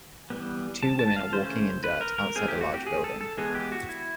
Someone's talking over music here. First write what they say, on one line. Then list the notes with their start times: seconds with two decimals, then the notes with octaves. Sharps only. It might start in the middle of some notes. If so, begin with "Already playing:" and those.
Two women are walking in dirt outside a large building.
0.30 E3 G3 B3
0.83 A5
0.99 A5
1.16 F5
1.33 C#3 E3 A3 C#4 C5
1.84 B4
2.01 A#4
2.18 A#4
2.36 E3 A3 C4 G#4
2.48 G4
2.61 F#4
2.74 G4
2.87 G#4
3.04 A4
3.21 A4
3.38 E3 G#3 B3 G#4
3.55 G4
3.72 F#4
3.89 E4